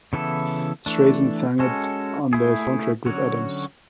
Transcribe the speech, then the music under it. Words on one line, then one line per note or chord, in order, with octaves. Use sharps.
Streisand sang it on the soundtrack with Adams.
C#3 E3 B3 E4 A4
E3 A3 D4
G#3 C#4 F#4 A4
A3 E4 G#4
D3 F#3 C#4 F#4 C#5